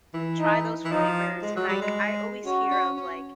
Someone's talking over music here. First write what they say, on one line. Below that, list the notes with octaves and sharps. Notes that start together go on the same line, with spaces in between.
try those flavors, and, like, I always hear of, like,
E3
D#4
E3
F3 D#4
G#3
F#3
G3
G#3
C#4 F#4
C#4
C#4